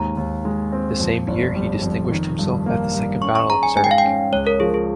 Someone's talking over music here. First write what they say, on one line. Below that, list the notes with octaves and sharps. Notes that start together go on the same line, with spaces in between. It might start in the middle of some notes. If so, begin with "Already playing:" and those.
The same year he distinguished himself at the Second Battle of Zurich.
Already playing: D#2 G#2 A#5
D#2
G#3
C4
F2
G1
G3
F2
D#3
G2
A#3
G2
C#4 C#6
C#6
G#4 A#5
G#5
G#2 G#5
G5
F5
G5
C#4
C#2 C#5
A#4
F3 G#4
G#4